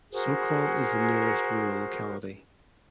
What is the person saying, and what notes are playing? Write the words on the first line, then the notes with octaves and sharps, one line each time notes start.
Sokol is the nearest rural locality.
F#4 G#4 A#4 C5